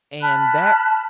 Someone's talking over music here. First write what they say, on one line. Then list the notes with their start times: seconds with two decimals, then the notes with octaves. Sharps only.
and that
0.22 A5 B5 F6 F#6